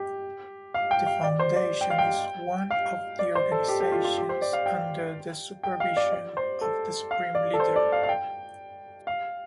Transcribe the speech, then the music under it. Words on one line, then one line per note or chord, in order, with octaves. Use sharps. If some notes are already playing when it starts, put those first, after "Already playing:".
The foundation is one of the organizations under the supervision of the Supreme Leader.
Already playing: G4
F5
G5
F5
D5
C5
D5
G5
F5
G5
F5
D5
C5
A4
G4
G4
F4
F4
G4
C5
D5
F5
G5
G5
F5
D5
D5
C5
A4
F5
D5
A4
C5
D5
F5
F5
G5
F5